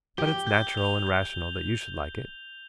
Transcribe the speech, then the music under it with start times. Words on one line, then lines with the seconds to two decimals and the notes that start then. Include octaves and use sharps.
But it's natural and rational that you should like it.
0.17 G4 G7
0.47 G6
0.77 F7
1.07 G6